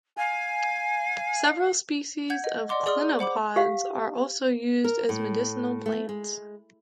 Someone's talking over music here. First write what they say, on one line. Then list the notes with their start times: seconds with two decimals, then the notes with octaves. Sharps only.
Several species of clinopods are also used as medicinal plants.
0.17 F5 G#5
2.30 F#5 G6 G#6
2.44 D#5
2.69 D5 D#5 F#5 C6 D6
2.86 G#4 D5 C6 D#6 F6
3.19 C5 F#5 B5 D6
3.56 G4 F5 F#5
4.84 A#4
5.09 A2
5.86 A3
6.09 G#3